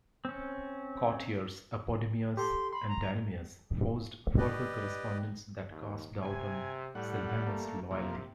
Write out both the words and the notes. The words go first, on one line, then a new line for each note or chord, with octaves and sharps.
Courtiers Apodemius and Dynamius forged further correspondence that cast doubt on Silvanus' loyalty.
C4 C#4
G4 A4 C6
B5 C6
A#5
G4 B4 D5 D#5
D#2
C3 G#5
A2 G3 F#5
A3 A#3
F2 C3 A#3